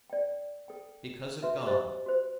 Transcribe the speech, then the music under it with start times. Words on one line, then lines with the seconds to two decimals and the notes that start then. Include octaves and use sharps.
Because of God.
0.10 D5 G5
0.68 A4 G5
1.43 F#4 B4 E5
1.66 G4 C5 D#5
2.06 F#4 C5